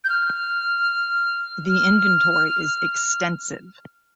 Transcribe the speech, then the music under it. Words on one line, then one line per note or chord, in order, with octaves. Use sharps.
The inventory is extensive.
G6
F6
F6